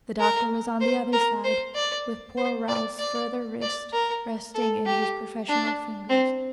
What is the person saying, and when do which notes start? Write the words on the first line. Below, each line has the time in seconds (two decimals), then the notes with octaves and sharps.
The doctor was on the other side, with poor Ralph's further wrist resting in his professional fingers.
0.20 A#4
0.81 C5
1.13 A#4
1.44 C5
1.75 D5
2.37 C5
2.68 D5
2.99 D5
3.62 D5
3.93 A#4
4.55 A4
4.86 G4
5.48 D4
6.10 C4